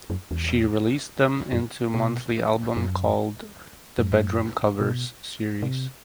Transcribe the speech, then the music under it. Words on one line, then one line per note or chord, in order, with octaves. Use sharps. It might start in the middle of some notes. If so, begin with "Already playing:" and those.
She released them into monthly albums called the ""Bedroom Covers"" series.
F#2
E2
F#2
B2
F#2
F#2
G2
F#2
B2
C3